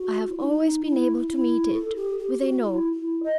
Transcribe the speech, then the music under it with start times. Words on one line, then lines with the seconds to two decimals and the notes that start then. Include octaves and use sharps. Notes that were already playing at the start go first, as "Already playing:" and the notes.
I have always been able to meet it with a No!
Already playing: F#4
0.28 E4
0.39 D#4
0.83 E4
1.28 E4
1.73 A4
1.96 G4
2.19 G4
2.40 F#4
2.63 E4
2.93 E4
3.23 D#5